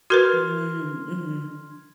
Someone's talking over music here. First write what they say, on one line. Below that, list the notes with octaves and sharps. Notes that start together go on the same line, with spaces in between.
Mm, mhm.
F#4 A#4 B4 C6 F6 G#6